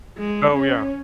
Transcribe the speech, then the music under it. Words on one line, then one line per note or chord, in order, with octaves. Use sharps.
Oh, yeah.
G#3
C#4